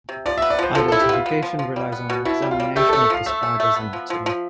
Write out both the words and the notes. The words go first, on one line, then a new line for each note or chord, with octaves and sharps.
Identification relies on an examination of the spider's anatomy.
C3
F3 D5
E5
B3
D5
F3 C5
F3 A4
E4 A4
G4
B3 F4
B3
F3
F3
G3
B3
B2
B2 E4
G3
F4
G3
A3 G4
A4
A3
A4
F3 F5
A3 E5
A3
A3
B3
F3
F3
F3